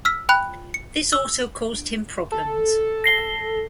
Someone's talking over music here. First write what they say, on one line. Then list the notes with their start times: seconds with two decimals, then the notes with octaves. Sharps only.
This also caused him problems.
0.05 E6 F6 B6
0.29 G5 B5 F#6
0.74 C#7
1.13 E6
2.32 A4
3.04 A#6 C7 G7